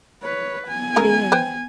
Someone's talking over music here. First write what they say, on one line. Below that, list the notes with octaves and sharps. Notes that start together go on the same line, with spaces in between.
It is.
B4 C#5
B3 G#5
C#3 A3 A#4
B4 C5 G5